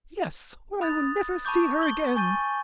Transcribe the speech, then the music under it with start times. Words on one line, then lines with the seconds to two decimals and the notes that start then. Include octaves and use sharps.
"Yes, or I will never see her again."
0.81 B5 D#6 F#6 A6
1.45 A5 B5 C#6 D6 G6
1.81 C6 G7
2.16 G#5 C#6 G6 A6 D#7